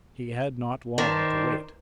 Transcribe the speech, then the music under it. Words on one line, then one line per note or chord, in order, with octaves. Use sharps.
He had not long to wait.
D#3 C5 D5 A5